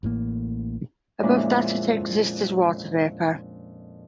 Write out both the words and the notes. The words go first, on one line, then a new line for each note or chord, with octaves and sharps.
Above that, it exists as water vapor.
A1 A2 C3 A#3
F2 A#2 G#3 C#4 D4 E4